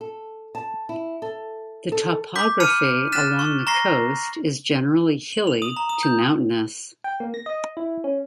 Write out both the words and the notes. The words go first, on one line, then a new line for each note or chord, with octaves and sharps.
The topography along the coast is generally hilly to mountainous.
A4
A5
E4
A4
A4
D6 G6 B6
A5 B5 F6 C#7 D#7
F6 F#6 A6 B6 E7
C#6
A#5 C#6 A#6 C7
F#7
F7
D#6
A#5
D#6
G6
G5
A#3
A#6
D#5
E4
C#4